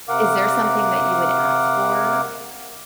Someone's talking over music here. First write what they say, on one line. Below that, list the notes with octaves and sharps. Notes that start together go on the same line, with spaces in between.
is there something that you would ask for,
C3 A#4 F5 F#5 D6